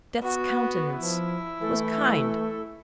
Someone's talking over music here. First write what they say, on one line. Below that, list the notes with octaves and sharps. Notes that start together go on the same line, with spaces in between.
Death's countenance was kind.
B3 F#4
F3 E4
E3 A3 A4